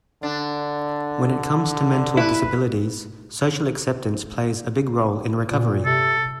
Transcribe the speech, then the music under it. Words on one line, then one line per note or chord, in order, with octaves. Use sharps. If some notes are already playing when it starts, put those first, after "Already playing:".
When it comes to mental disabilities, social acceptance plays a big role in recovery.
D3 D4
E4 B4
A#2
C3 A4